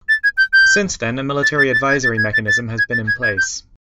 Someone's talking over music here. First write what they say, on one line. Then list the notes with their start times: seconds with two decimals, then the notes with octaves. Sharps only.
Since then, a Military Advisory Mechanism has been in place.
0.09 A6
0.24 G#6
0.37 G6
0.53 G6
1.43 A6
1.58 A6
1.73 A6
1.88 G#6
2.03 A6
2.17 G#6
2.33 A6
2.48 A6
2.78 G#6
2.92 A6
3.07 G#6
3.23 G#6
3.37 G6